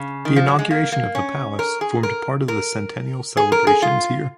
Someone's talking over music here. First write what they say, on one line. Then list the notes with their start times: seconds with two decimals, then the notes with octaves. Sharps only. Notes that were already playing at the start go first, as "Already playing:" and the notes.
The inauguration of the palace formed part of the Centennial celebrations here.
Already playing: C#3
0.25 D#3
0.36 F3
0.48 F#3
0.59 G#3
0.71 A#3
0.92 A#3
1.15 C#4
1.59 A#4
1.81 G#4
2.03 A#4
2.48 A#4
3.37 G#4
3.52 A#4
3.67 G#4
3.82 F4